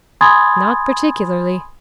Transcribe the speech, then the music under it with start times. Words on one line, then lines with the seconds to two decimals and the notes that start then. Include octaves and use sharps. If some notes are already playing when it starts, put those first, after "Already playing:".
"Not particularly."
0.21 G#5 B5 C6 D#6 G#6 A6